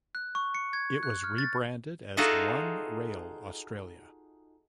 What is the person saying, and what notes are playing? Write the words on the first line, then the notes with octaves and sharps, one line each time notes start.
It was rebranded as "One Rail Australia".
F#6
C#6
C#7
G#6
F#6
F6
A6
D#4 F4 F#4 G#4 A4 E5